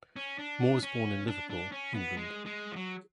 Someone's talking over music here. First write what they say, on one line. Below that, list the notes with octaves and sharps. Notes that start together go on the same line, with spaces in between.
Moore was born in Liverpool, England.
C#4
D4
C#4
D4
D4
C#4
B3
G#3
G#3
F3
F#3